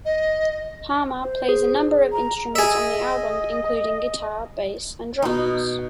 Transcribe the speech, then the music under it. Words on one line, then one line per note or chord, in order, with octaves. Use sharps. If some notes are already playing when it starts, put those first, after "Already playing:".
Harmer plays a number of instruments on the album, including guitar, bass, and drums.
D#5
C5
G#4
A#5
G#4 D#5 E5
B2 D#4